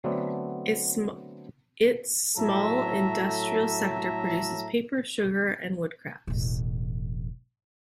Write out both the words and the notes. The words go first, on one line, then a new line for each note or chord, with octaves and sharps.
Its small industrial sector produces paper, sugar, and wood crafts.
D3 F#3 A3 B3 C4 D4
A2 F#3 A4 E5 A#5
E1 A1